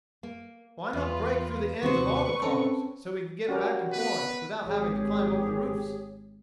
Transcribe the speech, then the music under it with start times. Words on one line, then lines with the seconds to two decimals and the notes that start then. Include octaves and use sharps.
"Why not break 'through the ends of all the cars--so we can get back and forth without having to climb over the roofs!"
0.23 A#3
0.93 E2 F4 B4
1.83 D#2 C3 B3 F#4 B4 C5 C#6
2.42 C4 C#4 A4 A#4
3.49 G3 C#4 F#4 G4 A#4
3.92 B3 B4
4.66 G#1 G4 G#4 C#5